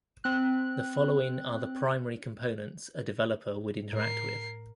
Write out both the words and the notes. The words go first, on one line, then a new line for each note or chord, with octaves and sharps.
The following are the primary components a developer would interact with.
C4 F#6
A2 A#4 C7